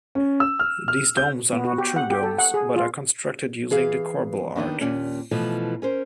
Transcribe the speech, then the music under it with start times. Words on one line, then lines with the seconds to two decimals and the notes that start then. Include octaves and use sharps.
These domes are not true domes, but are constructed using the corbel arch.
0.15 C#4
0.40 E6
0.60 F6
0.88 F6
1.17 G6
1.53 B3
1.65 F#4
1.78 G4
1.96 F#5
2.10 G4
2.23 A4
2.38 F#5
2.54 G#4
2.76 F4
3.71 E3 G#4 F5
4.56 D#2 D#3 B3 D4
4.81 D#2 A#2 C#4
5.31 B2 E3 F3 A3
5.82 C#4 A#4 C5